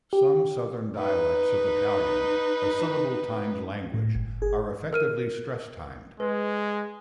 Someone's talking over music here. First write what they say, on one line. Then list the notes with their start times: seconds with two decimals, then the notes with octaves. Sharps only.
Some southern dialects of Italian, a syllable-timed language, are effectively stress-timed.
0.13 G4
0.97 D#4 B4
3.94 A2
4.15 G1
4.42 G#4
4.93 A#4 F6 D#7
6.20 G#3 B4